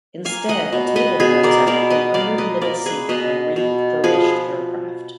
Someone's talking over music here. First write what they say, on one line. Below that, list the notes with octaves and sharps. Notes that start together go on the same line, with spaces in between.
Instead, a table folds up from under the middle seat on refurbished aircraft.
A#3 F5 G#5
D#5 F#5
B2
B4 D#5
B2 G#4 B4
A#4 D5
B2 A#4 D5
B4 D#5
A#3 D5 F5
B4 D#5
A#3 A#4 D5
G#4 B4
B2 B4 D#5
B2
F3 G#4 B4